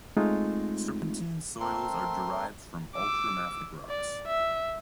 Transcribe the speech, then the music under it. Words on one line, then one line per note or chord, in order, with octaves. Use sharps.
Serpentine soils are derived from ultramafic rocks.
G#3 A3 C4 D#4 F4
A3 C4 A#4 C6
D6 E6
D5
E5